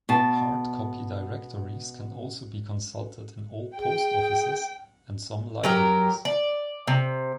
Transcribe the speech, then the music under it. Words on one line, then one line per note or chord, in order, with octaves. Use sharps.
Hard-copy directories can also be consulted in all post offices, and some libraries.
B2 A5
G#4 G5
F#3 G4 A#4
D5
C3